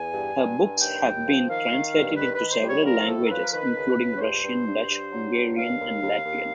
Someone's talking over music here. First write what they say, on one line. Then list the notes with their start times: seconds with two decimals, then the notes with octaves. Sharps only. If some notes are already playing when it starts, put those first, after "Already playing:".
Her books have been translated into several languages, including Russian, Dutch, Hungarian and Latvian.
Already playing: E2 G#5
0.13 G2
0.36 G2
0.58 G2
0.81 D#2 G5
1.03 D#2
1.26 F3
1.49 D#3 F5
1.71 D#3
1.93 G2
2.16 D#3 B4
2.34 B4
2.39 D#3
2.51 C5
2.62 G3
2.68 C#5
2.84 F3 A#4
3.07 A2 A4
3.24 A#4
3.30 F3 B4
3.42 A#4
3.52 D#3 B4
3.75 C#2
3.98 C#2
4.16 C#5
4.20 G2 C5
4.43 G2
4.66 G2
4.89 G2
5.11 F#3
5.34 G2
5.56 D#2 F5
5.79 D#2
6.02 D#2
6.24 D#2